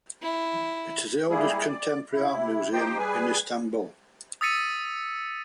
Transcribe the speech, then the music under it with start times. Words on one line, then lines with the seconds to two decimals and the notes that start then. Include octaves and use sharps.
It is the oldest contemporary art museum in Istanbul.
0.22 E4
1.30 G3 G#3 A#3 E4 G#4
1.68 D5
2.12 C3 E4
2.73 F3 D#4 G4 C5 G5
2.98 G3 G#4 B4 G#5
4.41 D#6 E6 A6 B6 C#7 D#7